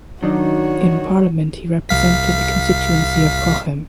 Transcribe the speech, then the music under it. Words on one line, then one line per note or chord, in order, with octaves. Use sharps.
In Parliament he represented the constituency of Cochem.
D#3 F#3 D4 D#4 F#4 C#5
C2 F5 B6